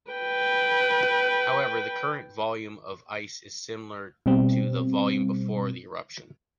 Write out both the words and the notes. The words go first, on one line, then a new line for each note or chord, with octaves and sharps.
However, the current volume of ice is similar to the volume before the eruption.
B4 G5
B2 G3 C4